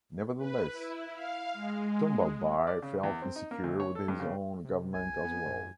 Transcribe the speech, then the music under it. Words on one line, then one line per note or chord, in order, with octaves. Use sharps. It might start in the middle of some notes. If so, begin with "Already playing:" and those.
Nevertheless, Tombalbaye felt insecure with his own government as well.
B4
E4
F5
G#3
D5
C#3
E2
C4
D#4
A#3
D2
C#5
A4
G2
C#3
C3
C2 G#5
B3
F#2